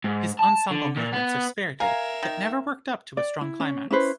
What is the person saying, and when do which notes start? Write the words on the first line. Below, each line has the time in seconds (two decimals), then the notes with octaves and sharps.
His ensemble movements are spirited, but never worked up to a strong climax.
0.04 G#2
0.39 A5
0.71 D3
0.96 A#2
1.13 B3
1.80 A#4 E5 F5 G#5 A#5
2.23 D#3
3.17 D5
3.41 E4
3.60 C#4
3.91 C#4 E4 B4 C5